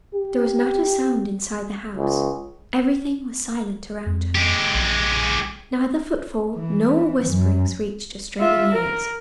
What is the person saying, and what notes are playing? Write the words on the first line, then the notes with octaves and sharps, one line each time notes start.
There was not a sound inside the house: everything was silent around her: neither footfall nor whisperings reached her straining ears.
G4
C#2
F2
G#3 G4
A#1
E3
F#2
F4 E5
A#4